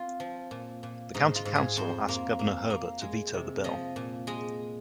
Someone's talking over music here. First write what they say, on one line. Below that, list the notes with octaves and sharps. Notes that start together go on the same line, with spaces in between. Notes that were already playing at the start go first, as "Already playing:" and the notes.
The County Council asked Governor Herbert to veto the bill.
Already playing: C4 F4
F3
A#2
A#2
G#2 D#4
F4
G#2
G#4
F2 C5
A#3
A#3
A#3
G#3
C3
F3 D#5
A#2
G#3 D#5